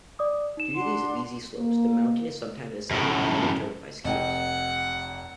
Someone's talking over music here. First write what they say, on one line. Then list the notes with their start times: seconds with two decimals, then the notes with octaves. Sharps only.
Due to these easy slopes, the mountain is sometimes ascended in winter by skiers.
0.19 D5 D6 D#6
0.57 D#4 E7
0.76 D4 F#5 C6
1.58 A#3
2.91 F#2 A2
4.04 F1 D#5 F#5 G5